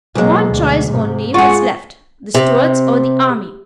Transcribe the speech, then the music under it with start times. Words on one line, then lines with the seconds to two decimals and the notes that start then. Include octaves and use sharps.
One choice only was left, the Stuarts or the army.
0.15 B1 F#3 G#3 A#3
0.49 D2 D3
0.89 G#2 C3
1.34 G#3 F4 G#4 F#5 C#6
2.35 C3